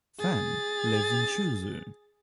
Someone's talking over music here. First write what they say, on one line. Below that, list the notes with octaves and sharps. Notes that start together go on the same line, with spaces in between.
Fan lives in Suzhou.
G#4 A6